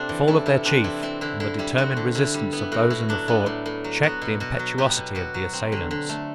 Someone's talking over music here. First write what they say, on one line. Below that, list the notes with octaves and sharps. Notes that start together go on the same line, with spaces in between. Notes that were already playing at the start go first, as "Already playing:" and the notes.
The fall of their chief, and the determined resistance of those in the fort, checked the impetuosity of the assailants.
Already playing: C3 A3 C4 D4 E4
E3
A3 E4
C3 E4
C4 D4
E3 E4
C4 E4
D3 E4
D3 E4
G3 E4
C4 F#4
D3
D3 E4
G3
B3 E4
A2 F#4
A2 E4
F#3 D4
B3 E4
A2
A2
F#3
B3 F#4
B2
B2 F#4
F#3
B3 G4
B2
B2 F#4
F#3
C4
D3
D3
A3